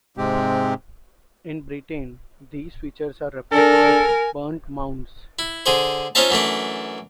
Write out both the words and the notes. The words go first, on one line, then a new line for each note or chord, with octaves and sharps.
In Britain these features are referred to as 'burnt mounds'.
G#2 C3 G#3 C4 G4
D4 A4 A#4 G#5
E4
D3 G#4 C5
C#4 D#4 F4 C5 E5 A5
F#2 E3 A3 D4